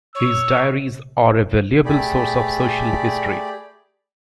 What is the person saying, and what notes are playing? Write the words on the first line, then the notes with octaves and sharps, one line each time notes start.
His diaries are a valuable source of social history.
C#5 E6
A3 G4 G#4 D5 B5